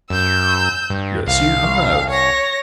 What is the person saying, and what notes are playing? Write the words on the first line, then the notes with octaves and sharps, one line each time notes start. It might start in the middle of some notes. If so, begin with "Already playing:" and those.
"Yes, you have."
F#2 E6 G6
G2
C2 F5
C#5 A#6